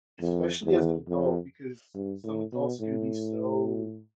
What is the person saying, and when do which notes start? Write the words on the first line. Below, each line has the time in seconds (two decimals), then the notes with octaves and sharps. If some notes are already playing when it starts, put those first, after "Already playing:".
Especially as an adult because some adults can be so
0.21 F2
0.65 E2
1.08 F2
1.95 G2
2.24 A2
2.53 B2
2.81 A2